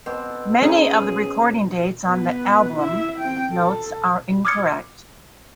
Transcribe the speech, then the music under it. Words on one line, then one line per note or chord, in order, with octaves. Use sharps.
Many of the recording dates on the album notes are incorrect.
B2 C4 C5 D6
A4
A3 C#4 D#4 F4 G#4
B3 B4
E4 E5
C4 G5
A4
D6 D#6 F6 G#6 A6 C#7